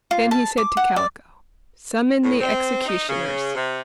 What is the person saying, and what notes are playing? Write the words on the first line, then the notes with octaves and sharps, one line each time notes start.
Then he said to Kaliko: "Summon the executioners."
F4
A5
D6
F#5
D5
A2
C4
D#4
C#3
C3